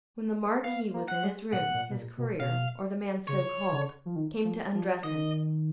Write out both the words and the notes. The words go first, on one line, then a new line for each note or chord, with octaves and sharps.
When the Marquis was in his room, his courier, or the man so called, came to undress him.
B3 F5
A#3
F#5
G#3
A#2 F#5
A#2
B2
A#2
B2
B2 F5
C#3 C#5
C#3
F3
D#3
F3
F3
D#3 D#5